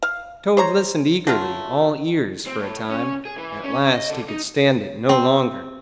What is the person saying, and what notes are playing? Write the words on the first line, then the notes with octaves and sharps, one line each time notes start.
Toad listened eagerly, all ears, for a time; at last he could stand it no longer.
F5
C5 C#5 A#5
F#3 A3 F4
C4
A2
C#4
G#4
E3
C#4
D#5
D3
D#4
C4